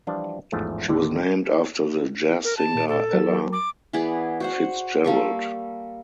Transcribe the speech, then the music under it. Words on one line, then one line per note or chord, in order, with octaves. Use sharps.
She was named after the jazz singer Ella Fitzgerald.
E3 F3 G3 D4 F4
A1 E2 G#2 F3 A3
D#2 A2 D3 D5
A#4
A5
A#2
A4
F#3 A#4
D6
E3 B3 G#4 D5
F#4 C5 F#5
G3 A#3 A4 C#6